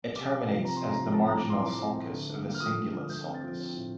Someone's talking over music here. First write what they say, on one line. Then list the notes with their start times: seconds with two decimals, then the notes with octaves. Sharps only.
It terminates as the marginal sulcus of the cingulate sulcus.
0.15 C3 D6
0.31 C3
0.48 F3
0.64 C4 A#5
0.77 C3 C6
0.89 A#5
0.98 F3
1.13 C4 A5
1.27 A2 A#5
1.38 D6
1.46 C4 C6
1.62 A2 D6
1.79 C4
1.95 A3
2.12 D3
2.29 D3
2.44 A#3
2.54 F6
2.60 F3 D#6
2.77 D3
2.93 D3
3.09 A3 G6
3.26 C4
3.34 A6
3.43 F3
3.60 C4
3.76 A2